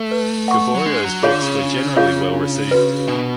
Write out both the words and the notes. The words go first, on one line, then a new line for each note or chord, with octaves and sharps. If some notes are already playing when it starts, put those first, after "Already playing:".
Gaboriau's books were generally well received.
Already playing: A3
B4
F#5 C#6
F#3
G#3 D4
F#3
D3 F4 G#4 C#5 F5
C#3
D4
F4 G#4 C#5 F5
D4
F#4 B4
B2 D4